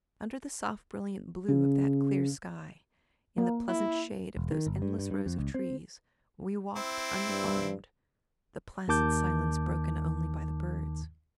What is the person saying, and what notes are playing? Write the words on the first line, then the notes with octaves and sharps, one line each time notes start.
Under the soft brilliant blue of that clear sky, in the pleasant shade of those endless rows of trees, we walked unharmed, the placid silence broken only by the birds.
C#3
A#3
E4
E1
D#3
G1
G2
G2
G2
F2
C#2
C4
C4 E4
G2
D#2 D#3 A5 D6 G6